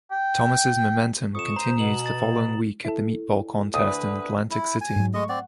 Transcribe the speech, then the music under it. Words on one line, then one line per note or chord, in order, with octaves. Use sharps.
Thomas' momentum continued the following week at a meatball contest in Atlantic City.
G5
F2 C#6 D#6 E7
C5 A#5
B2 F#7
A6
E4 A4
D2 D3 B4 D#6
E4
G#5
G#2 F#3
G#3 A3 D#5 C#6
C4 D5 F#5